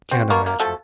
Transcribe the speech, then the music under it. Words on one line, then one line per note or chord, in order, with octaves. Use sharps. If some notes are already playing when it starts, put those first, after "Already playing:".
'Can't imagine.
C4 F#4
B2 A#3 A#5 C#6
A#3
F3 A3 F#4 A4